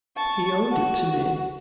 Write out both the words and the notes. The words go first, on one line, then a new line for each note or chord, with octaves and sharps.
He owned it to me.
A5 C#6
F#4